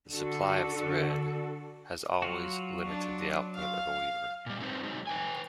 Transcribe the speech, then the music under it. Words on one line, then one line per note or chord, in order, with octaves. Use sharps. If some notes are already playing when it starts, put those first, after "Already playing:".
The supply of thread has always limited the output of a weaver.
D3 F#4 A4
F#3 F4 F#4
D4
F5
A#2 G3
A3 C4 D#4 F#4 B4 C5
F#3 G#3 D#4
B4 G5 G#5